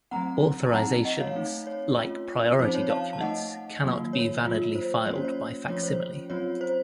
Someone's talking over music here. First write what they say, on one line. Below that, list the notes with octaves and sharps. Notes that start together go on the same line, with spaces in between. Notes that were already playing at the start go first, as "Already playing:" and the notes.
Authorisations, like priority documents, cannot be validly filed by facsimile.
F#3 A3 C4 F#5 A#5
A5
F#3 C4 D#4 F#5 A#5
D#5 F#5
C#5 F5
A3 C4 D#4
C#5
A3 C#4 F4
F3 C4 D#4 C5
C#5
F5 A5
A5
A3 D#4 D#5 F#5
D#3 F#3 A#3 F4
C#5
F#3 A#3 F4
C5
F#3 A#3 C#4 C#5
C5
C#5
F3 A3 C#4 F4 C#5
C5
F#3 C4 F4 C#5
C5